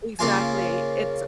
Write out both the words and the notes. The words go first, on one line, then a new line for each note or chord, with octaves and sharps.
Exactly. It's, uh
C#3 A#3 F4 G#5